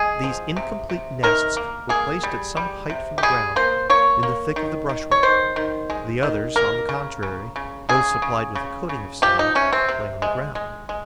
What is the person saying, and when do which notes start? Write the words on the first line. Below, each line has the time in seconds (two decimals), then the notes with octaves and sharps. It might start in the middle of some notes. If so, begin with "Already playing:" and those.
These incomplete nests were placed at some height from the ground, in the thick of the brushwood; the others, on the contrary, those supplied with a coating of sand, lay on the ground.
Already playing: G#3 G#4
0.24 F3
0.56 C3
0.90 C3
1.23 D#3 A#4
1.57 A#3
1.89 A#3 G#4
2.23 G3
2.57 G3
2.90 C3
3.18 G4
3.23 G3 G#4
3.56 A#3 C5
3.90 A#3 C#5
4.23 A#3
4.56 D#3
4.89 D#3
5.11 C#5
5.23 D#3 C5
5.56 D#3
5.90 G#3
6.23 D#3
6.56 A#3 A#4
6.89 C#3
7.23 C#3
7.56 C#3
7.89 C#3 G#4
8.22 C#3
8.55 C#3
8.89 C#3
9.22 F3 G4
9.39 D#4
9.55 C3 C#4
9.73 C4
9.89 C3
10.22 G#3
10.55 G#3
10.89 G#3